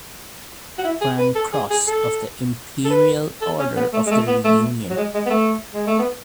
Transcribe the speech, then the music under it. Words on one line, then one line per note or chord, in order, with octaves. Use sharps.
Grand Cross of the Imperial Order of the Reunion.
F#4
E4
G#4
B4
A4
G#4
G#4
A4
A4
B4
A4
C#4
B3
A3
G#3
A3
B3
A3
F#3
G#3
G#3
B3
A3
G#3
A3
B3